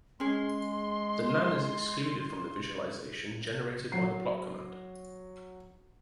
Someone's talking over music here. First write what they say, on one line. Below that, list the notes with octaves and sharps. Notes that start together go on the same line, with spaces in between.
The NaN is excluded from the visualization generated by the plot command.
G#3 C#4 G#4 C6
F#3 C7